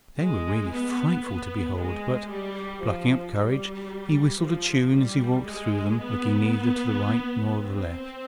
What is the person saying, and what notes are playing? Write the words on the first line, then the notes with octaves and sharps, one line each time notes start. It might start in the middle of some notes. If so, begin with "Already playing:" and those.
They were really frightful to behold, but, plucking up courage, he whistled a tune as he walked through them, looking neither to the right nor the left.
G#3
B3
B3
G#3
G3
F3
G3
F3
G3
G#3
B3
C4